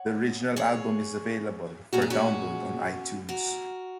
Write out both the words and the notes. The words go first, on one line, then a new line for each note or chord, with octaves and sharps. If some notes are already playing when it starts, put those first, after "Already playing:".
The original album is available for download on iTunes.
Already playing: C#5 F#5
G#4 C#5
A#2 G#3 C#4 F#4
G#4
C#4 F#4
F#4 A#4